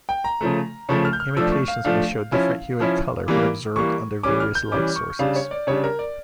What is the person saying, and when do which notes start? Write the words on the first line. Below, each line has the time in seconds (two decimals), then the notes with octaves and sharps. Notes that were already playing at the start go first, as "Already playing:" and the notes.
Imitations may show different hue and colour when observed under various light sources.
0.09 G5
0.24 A#5
0.41 C#3 F3 A3
0.89 C#3 F3 A3 C#6
1.05 F6
1.13 G6
1.20 F6
1.37 F3 A3 D4 E6
1.52 C#6
1.68 F5
1.84 F3 A3 D4 F5
2.32 F3 C#4 E4
2.80 F3 C#4 E4
3.28 E3 G3 A#3
3.76 E3 G3 A#3 C#6
4.23 E3 G3 C#4 D6
4.40 F6
4.55 G6
4.72 E3 G3 C#4 D6
4.96 C#6
5.19 C#3 G3 D4 F5
5.36 C#5
5.51 D5
5.67 C#3 G3 D4 C#5
5.84 A#4
5.99 D5